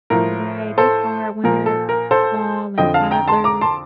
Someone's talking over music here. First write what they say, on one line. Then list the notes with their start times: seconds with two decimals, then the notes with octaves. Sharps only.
Right, it's hard when they're small and toddlers.
0.10 A2 F3 A#4
0.78 A4 C5
1.44 A#2 F3 A#4
1.66 A4
1.89 A#4
2.11 A4 C5
2.78 F2 D3 F3 D#5 G5
2.94 F5 A5
3.11 G5 A#5
3.28 A5 C6
3.44 A#5 D6
3.61 A5 C6